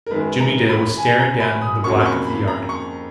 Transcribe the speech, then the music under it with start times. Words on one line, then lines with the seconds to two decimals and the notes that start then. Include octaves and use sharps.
Jimmie Dale was staring down into the black of the yard.
0.07 A#4
0.11 F#2 D#3 G#3 B3 B4
0.40 A#5
0.69 B5
0.97 G#5
1.19 A#5
1.40 B5
1.61 D#6
1.83 F2 C#3 F#3 A#3 C#6
2.00 B5
2.05 C#6
2.27 B5
2.48 A#5
2.69 C#6